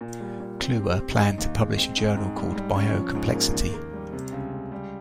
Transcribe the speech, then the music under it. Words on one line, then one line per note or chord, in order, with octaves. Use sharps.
Kluwer planned to publish a journal called "Biocomplexity".
A#2
G3
A#2
C4
G4
C4
D#4
D#2
G#3
C4
G#2
G#2
G3
G3
C#4
F3
G#2
A#3
D#2
A#3
G3
C3
C#2
C#2
G3